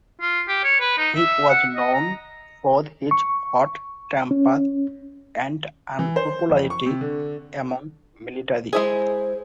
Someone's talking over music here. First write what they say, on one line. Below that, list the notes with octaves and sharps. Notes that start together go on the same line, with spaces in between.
He was known for his hot temper and unpopularity among military.
F4
G4
C#5
B4
D#4
E5
F#5
D#5
A#5
C#6
C#4
E3
C5
F2
C#6
C3
D3
G#3 E4 G#4 C5